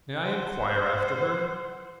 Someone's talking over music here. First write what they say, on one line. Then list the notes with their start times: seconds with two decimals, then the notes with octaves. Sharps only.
May I enquire after her?
0.22 C5 F#5